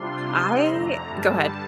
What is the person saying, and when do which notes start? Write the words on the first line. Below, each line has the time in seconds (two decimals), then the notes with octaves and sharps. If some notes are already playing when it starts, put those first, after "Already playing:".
I go ahead.
Already playing: C3 G3 D4 F4 C6
0.27 C3 G3 C4 D#4
0.67 F2 D3 A3 A#5
1.08 G2 D3 G3 A5